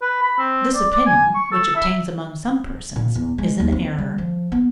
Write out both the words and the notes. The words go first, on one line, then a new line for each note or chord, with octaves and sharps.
This opinion, which obtains among some persons, is an error.
B4
B5
C4
D5
D5
G#5
C#6
A4
E5
A#2
E2
G#3
D#2
C4
G3
F3
B3